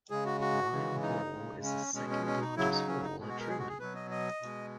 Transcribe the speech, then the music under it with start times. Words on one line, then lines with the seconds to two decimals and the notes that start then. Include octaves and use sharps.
Ryle Hall is the second largest hall at Truman.
0.10 C#3 G#3 G#4
0.26 F#4
0.41 F#4
0.72 C#3 E3 G#3
1.02 D#4
1.33 C#3 G#3
1.64 C#4
1.94 B2 G#3 C#4
2.10 C#4
2.26 C#4
2.41 D#4
2.57 C#3 F#3 E4
2.72 D#4
2.87 C#4
3.03 D#4
3.19 B2 G#3
3.29 F#4
3.39 A#4
3.49 G#4
3.59 F#4
3.69 G#4
3.80 B2 F#3 B4
3.95 D#5
4.11 D#5
4.42 B2 G#3